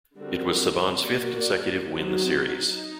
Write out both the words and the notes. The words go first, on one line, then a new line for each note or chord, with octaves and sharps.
It was Saban's fifth consecutive win the series.
D3 G3 C4 F#4 A#4
A#3 F#4 A#4 D5
F#3 C4 D#4
D#4